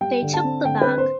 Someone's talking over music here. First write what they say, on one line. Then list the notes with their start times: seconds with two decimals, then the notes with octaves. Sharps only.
They took the bag.
0.01 G3 G5
0.22 D3
0.33 A5
0.44 C4
0.65 D3 G5
0.81 B4
0.87 C4
0.98 C5